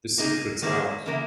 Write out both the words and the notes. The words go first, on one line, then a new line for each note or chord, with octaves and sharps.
The secret's out.
A#3 D#4 G#4
D#3 A#3 E4 G#4
C#3 E3 A#3 E4 A#4